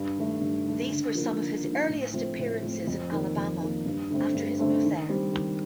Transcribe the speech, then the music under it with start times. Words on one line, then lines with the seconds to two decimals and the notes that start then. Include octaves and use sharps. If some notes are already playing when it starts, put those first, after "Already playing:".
These were some of his earliest appearances in Alabama after his move there.
Already playing: G2
0.17 D#3 A3
0.41 G2
0.66 D#3 A3
0.91 D3
1.15 F3 A#3 D#4
1.40 D3
1.64 F3 A#3 D#4
1.89 A2
2.14 F3 A3 C4
2.38 A2
2.63 F3 A3 C4
2.87 F2
3.12 D#3 A#3
3.37 F2
3.61 D#3 A#3
3.86 G2
4.11 D3 A3 C4
4.35 G2
4.59 D3 A3 C4
4.84 D#3
5.09 G3 C4
5.33 D#3